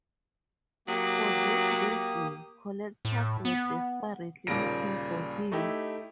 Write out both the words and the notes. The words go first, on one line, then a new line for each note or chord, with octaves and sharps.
For this reason, collectors were desperately looking for him.
F#3 A#3 G4 D#6
A2
B3
D#2 A#2 C#3 G3 A#6 D7
A3 D#4 E4 G4